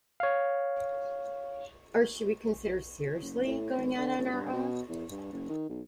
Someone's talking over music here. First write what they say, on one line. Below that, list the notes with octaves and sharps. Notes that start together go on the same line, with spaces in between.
Or should we consider seriously going out on our own?
C#5 F5
F#1
A2
G#1
D3
A1
G2
B2
E2
G2
F#1
D#3
B1